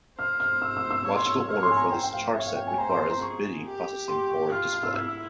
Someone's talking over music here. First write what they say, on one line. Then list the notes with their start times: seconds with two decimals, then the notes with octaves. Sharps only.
Logical order for this charset requires bidi processing for display.
0.18 C5 F6
0.40 F6
0.62 E6
0.77 E6
0.91 E6
1.05 C#5 C#6
1.16 C6
1.26 E6
1.49 C#5 F6
1.63 C6
1.71 G#5
1.77 A#5
1.91 C5 G5
2.03 G5
2.13 F5
2.34 C#5 E5
2.46 F5
2.56 G5
2.67 G#5
2.78 C5 A#5
2.89 C6
2.99 C6
3.10 A#5
3.21 G#4 C#6
3.65 G4
4.07 G4 C6
4.29 C#6
4.50 F4 F6
4.73 F6
4.83 E6
4.94 E4 E6